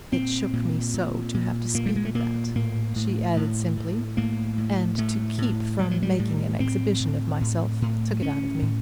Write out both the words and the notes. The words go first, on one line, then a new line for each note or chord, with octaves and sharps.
It shook me so to have to speak of that," she added simply, "and to keep from making an exhibition of myself took it out of me.
A#2 C4
A#2
A#2
A#2
A#2 A#3
G3
G#3
A3
A#2 A#3
A2 A#3
A2
A2
A2
A2 A#3
A2
A2 A3
A2
A2 G3
F#3
G3
A2
A2 C4
A2
A2
A2
A2 C#4
A2